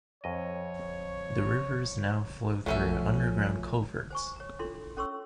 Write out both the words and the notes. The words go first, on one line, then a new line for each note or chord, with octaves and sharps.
The rivers now flow through underground culverts.
F2 C#5 D#5
B1 C#3 F3 F#3 A3 C#4 E5
C5 G#5 C#6
C#5 A#5
D4 E4 F4 A4 C6
C#4 A4 C#5 C6 C#6 E6